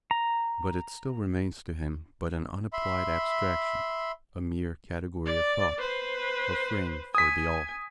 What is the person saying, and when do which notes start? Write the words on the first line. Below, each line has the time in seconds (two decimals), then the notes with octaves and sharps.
But it still remains to him but an unapplied abstraction, a mere category of thought, a frame for the All.
0.11 A#5
2.73 E5 B5 C6
5.26 D5
5.79 B4 C5
7.15 G#5 D#6 B6